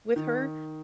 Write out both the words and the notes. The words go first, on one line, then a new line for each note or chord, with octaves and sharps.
with her.
D#3